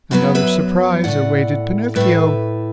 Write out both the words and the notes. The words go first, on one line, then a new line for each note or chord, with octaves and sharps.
Another surprise awaited Pinocchio!
F#2 F#3 B3 F#4 B4
B4 E5
A2 A3 D5 F#5
A2 A3 B4 E5